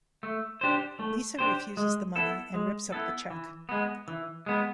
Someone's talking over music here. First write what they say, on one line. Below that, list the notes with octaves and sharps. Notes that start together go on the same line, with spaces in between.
Lisa refuses the money and rips up the cheque.
A3
D4 G4 C5
A3
D4 G4 C5
G#3
B3 E4 A4
G#3
B3 E4 A4
E3
G#3 B3
E3
G#3 B3